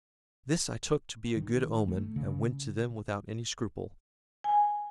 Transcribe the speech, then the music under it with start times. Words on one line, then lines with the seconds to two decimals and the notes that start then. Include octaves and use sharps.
This I took to be a good omen, and went to them without any scruple.
1.36 D#3
1.88 A3
2.16 C#3
4.44 G#5